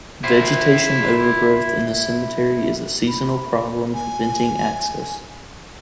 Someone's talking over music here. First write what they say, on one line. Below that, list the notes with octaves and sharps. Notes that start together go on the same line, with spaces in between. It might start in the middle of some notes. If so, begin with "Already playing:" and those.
Vegetation overgrowth in the cemetery is a seasonal problem preventing access.
E4 C5
B5
G#5